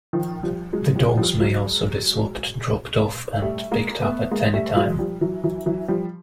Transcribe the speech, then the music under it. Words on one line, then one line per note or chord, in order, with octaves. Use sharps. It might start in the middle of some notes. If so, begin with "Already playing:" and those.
The dogs may also be swapped, dropped off, and picked up at any time.
D#3 F3
F3 G3
F#3 G#3
F3 G3
F3 G3
F#3 G#3
G3 A3
G#3 A#3
A3 B3
G#3 A#3
G3 A3
F#3 G#3
F3 G3
E3 F#3
E3 F#3
E3 F#3
F3 G3